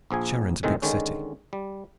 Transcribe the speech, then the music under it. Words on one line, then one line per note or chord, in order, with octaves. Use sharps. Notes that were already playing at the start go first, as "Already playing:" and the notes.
Charin's a big city.
A#1 F3 G#4 G#5
A2 C3 D#3 G#3 G#4
D3 D#3 G#3 C#4
G3